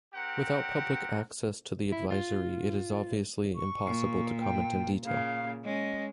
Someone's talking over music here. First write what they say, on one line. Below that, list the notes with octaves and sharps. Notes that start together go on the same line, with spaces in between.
Without public access to the advisory, it is obviously impossible to comment in detail.
C4 G4 A#4 F#5
E4
F4
C#6
A#2
G5
A#2 C#3 F5
G#3 C#4 D#5